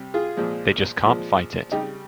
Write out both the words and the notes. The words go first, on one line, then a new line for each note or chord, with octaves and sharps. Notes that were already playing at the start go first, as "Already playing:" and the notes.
They just can't fight it.
Already playing: C3 G3
F4 G#4
A#2 F3 G#3
A#2 F3 G#3
C#3 G3 D#4 G4